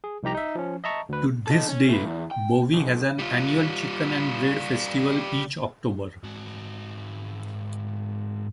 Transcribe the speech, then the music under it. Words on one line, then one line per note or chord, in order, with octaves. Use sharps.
To this day Bowie has an annual Chicken and Bread Festival each October.
G#4
C2 F3 D#4 G4 A#5
D#4 E5
F3 C#4
D#5 E5 A5 A#5 C#6
D2 B4
D#4 A4
C#4
A3 B4
E2
G5
B1
G3 F4
G#2 F#4